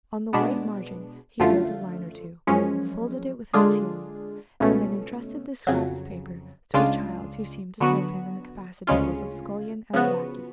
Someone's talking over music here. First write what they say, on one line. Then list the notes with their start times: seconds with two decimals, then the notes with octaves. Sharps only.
On the white margin he wrote a line or two, folded it without sealing, and then intrusted this scrap of paper to a child who seemed to serve him in the capacity both of scullion and lackey.
0.33 B2 G#3 B3 D4
1.40 F#2 D3 F3 A3 F4
2.47 F#2 F3 G#3 C#4
3.53 D3 G#3 D4 F4 G#4
4.60 C#2 B2 A3 C#4
5.67 F2 C#3 F#3
6.74 C#2 C#3 G#3 D4 F4
7.80 D3 F#3 B3 F#4
8.87 D2 C#3 G#3 C#4 F4
9.93 C#3 F3 B3 F#4